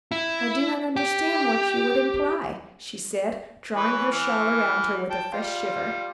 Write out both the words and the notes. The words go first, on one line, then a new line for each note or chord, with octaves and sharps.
"I do not understand what you would imply," she said, drawing her shawl round her with a fresh shiver.
E4
G4
E3 B4 C#5
E3 F6
G5 A5
G3 F4